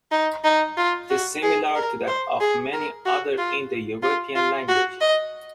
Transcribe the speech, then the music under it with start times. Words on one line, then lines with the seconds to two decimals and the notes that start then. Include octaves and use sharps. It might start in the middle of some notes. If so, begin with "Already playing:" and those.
It is similar to that of many other Indo-European languages.
0.11 D#4
0.44 D#4
0.77 F4
1.10 F#4
1.43 G#4
1.75 A#4
2.07 C5
2.41 G#4
2.73 A#4
3.06 F#4
3.38 F4
4.03 F4
4.35 F4
4.68 F#4
5.01 D#5